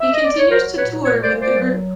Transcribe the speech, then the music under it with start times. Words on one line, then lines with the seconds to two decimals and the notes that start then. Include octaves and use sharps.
He continues to tour with the group.
0.00 E5
0.12 D#5
0.25 D5
0.37 C#5
0.50 F#3 A#4 C5
0.77 A#2 B4 C#5
1.04 A3 B4 C#5
1.22 C5 D5
1.31 A#2
1.40 C5 D5
1.59 F#3